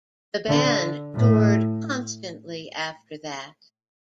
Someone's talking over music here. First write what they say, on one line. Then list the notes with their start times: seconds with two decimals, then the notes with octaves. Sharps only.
The band toured constantly after that.
0.48 D3
1.14 A2